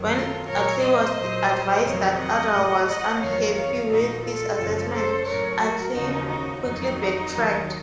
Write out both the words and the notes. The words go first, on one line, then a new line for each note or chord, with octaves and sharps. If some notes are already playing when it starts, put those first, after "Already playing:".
When Utley was advised that Udall was unhappy with his assessment, Utley quickly backtracked.
Already playing: F#2 D#3 F#3
F4 A4
A#2 F#3 A#4 C#5
C5 D#5
A#2 F#3
F2 C3 D#3 F#3 C#5 F5
D#5 F#5
A2 F3
D#5 F#5
F2 D#3 F#3 C#5 F5
C#5 F5
A#2 F3 D#4 F#4
F4 A4
F#2 C#3 F3
A4 C5
A2 F#3 A#4 C#5
F#4 A#4
D#2 C#3 F3 D#4 F#4
D#4 F#4
F2 D#3 F#3 D#4 F#4
D#2 D#3 F#3